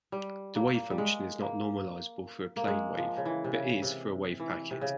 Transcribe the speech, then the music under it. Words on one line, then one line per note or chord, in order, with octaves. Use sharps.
The wavefunction is not normalizable for a plane wave, but is for a wavepacket.
G3
A#3
A#3
G3
G#3
A#3
A#3
G#3
F3
C#3
E3
C3
C#3
C3
E3
C3
C#3